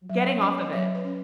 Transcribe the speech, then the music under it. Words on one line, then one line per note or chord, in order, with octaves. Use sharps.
Getting off of it.
F#3
C#5
C#4 D#5
D#5
F#3 C#5
B4
C#4